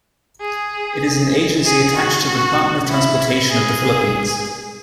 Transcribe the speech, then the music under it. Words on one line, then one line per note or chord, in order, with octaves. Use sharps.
It is an agency attached to the Department of Transportation of the Philippines.
G#4
G#4
F#4
F#4
E4
G#4